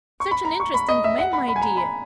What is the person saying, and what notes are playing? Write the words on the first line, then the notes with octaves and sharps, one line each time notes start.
Such an interesting man, my dear.
C#6
B5
A#5
C#6
B5
D#5
E5
F#5
B5
B5
G#5
A#5
B5